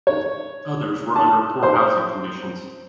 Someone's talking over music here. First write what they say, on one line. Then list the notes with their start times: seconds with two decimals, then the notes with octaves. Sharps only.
Others were under poor housing conditions.
0.07 C#5
1.16 A5
1.63 C5